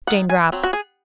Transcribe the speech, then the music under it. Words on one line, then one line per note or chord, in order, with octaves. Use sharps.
Jane dropped.
D#3 F#5
G#5
F#3 C4
F#4
G#4